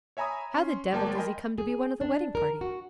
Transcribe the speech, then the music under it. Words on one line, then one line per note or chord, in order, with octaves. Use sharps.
"How the devil does he come to be one of the wedding party?"
C#5 E5 G#5 A#5 B5 D#6
C#4 C6
G1 G#3 A#3 D5 G5 A5
A#4 D#5 G5 G#5 B5 C6
G#4
D4
A#4
F#4